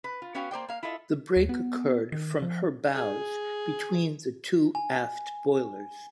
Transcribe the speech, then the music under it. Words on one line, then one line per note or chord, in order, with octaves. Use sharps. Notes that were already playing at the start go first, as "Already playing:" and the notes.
The break occurred from her bows, between the two aft boilers.
B4
F4
B3 C#4 F#4 F5 G5
A#3 C5 D5 G5
A#3 F5
E4 F4 A4 D#5 E5
D#2
B3
D#3
F3
G#4
G#5